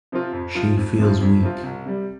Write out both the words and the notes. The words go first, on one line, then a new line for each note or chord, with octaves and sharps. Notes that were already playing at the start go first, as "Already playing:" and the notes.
She feels weak.
C3 F3 C4 F4
F2
C3 F3 C4 F4
F2
C3 F3 C4 F4
F2
C3 F3 C4 F4
C2
C3 G3